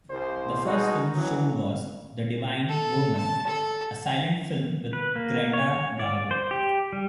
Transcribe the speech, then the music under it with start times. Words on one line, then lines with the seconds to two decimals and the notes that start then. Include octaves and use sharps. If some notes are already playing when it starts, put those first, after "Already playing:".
The first film shown was "The Divine Woman", a silent film with Greta Garbo.
0.10 C2 C5
0.64 B2 G#3 D#4 F#4
1.14 B1 E3 F#3
2.69 A4
3.17 A5
3.47 A4
4.93 B4
5.16 A#3
5.53 C#5
5.99 D5
6.31 C5
6.51 G4
6.93 G3